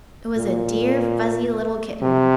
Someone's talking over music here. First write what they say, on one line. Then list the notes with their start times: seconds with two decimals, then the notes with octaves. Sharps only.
It was a dear fuzzy little kitten.
0.37 A#2
2.03 C3